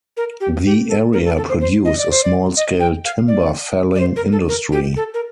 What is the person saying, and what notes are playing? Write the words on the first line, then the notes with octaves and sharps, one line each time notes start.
The area produced a small scale timber felling industry.
A#4
G4
G4
A4
A#4
A4
A4
C5
C5
D#5
D5
C5
D5
D#5
G5
F5
D5
D5
C5
A#4
A4
A#4
G4
A4
A#4